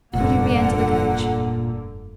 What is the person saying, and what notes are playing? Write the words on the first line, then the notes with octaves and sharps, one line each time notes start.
Will you re-enter the coach?
F1 G2 A#2 D3 A#3 F#5